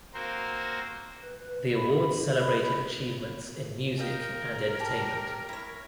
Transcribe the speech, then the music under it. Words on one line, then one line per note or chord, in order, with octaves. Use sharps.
The awards celebrated achievements in music and entertainment.
A#3 C4 F#4 A#4 C5
B4
B5
B5
A#4 D#5 F5 G5
G4 A5
E4 C#5